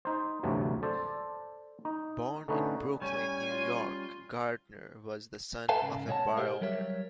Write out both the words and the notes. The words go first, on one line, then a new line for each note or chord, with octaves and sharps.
Born in Brooklyn, New York, Gardner was the son of a bar owner.
D#4 C5
G1 D2 C3 E3 F#3
A4 C5 D5 A5
D#4
D3 A3 C#4 D#4 B4
G3 C#4 C#5 G#5
F4
A4 B4 E5 F5 G#5 A5
G#2 C#3
B2 G#3 C#5 E5 F#5 A5
G4 G#4 A#4 C5 D#5 F5
F#3 G3 A#4 C#5 E5